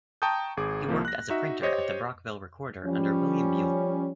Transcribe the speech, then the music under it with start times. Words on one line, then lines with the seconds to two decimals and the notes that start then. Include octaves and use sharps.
He worked as a printer at the "Brockville Recorder" under William Buell.
0.22 G5 A5 A#5 C#6 D#6 G6
0.57 G#1 G#4 D6
0.89 C2 F3 A#3
1.05 F#6 A#6
1.30 D#4 F#4 E5
1.62 G4 C5 C#5 D#5
2.84 F3 G3 C#4